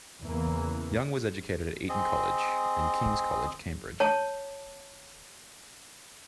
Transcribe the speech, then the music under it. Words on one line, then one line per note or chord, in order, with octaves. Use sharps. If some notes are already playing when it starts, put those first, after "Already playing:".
Young was educated at Eton College and King's College, Cambridge.
E2 C#3 E3 A#3
C4 G#4 D#5
C#5 A5